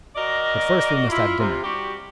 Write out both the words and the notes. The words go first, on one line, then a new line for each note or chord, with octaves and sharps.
But first we must have dinner.
F#4 A#4 D5 D#5
E4 F4
C3 F4
G3 F#4 G4